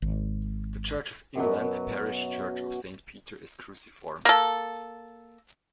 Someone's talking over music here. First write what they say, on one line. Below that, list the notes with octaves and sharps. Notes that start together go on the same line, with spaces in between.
The Church of England parish church of Saint Peter is cruciform.
G#1
F#2 B2 F#3
A#3 A4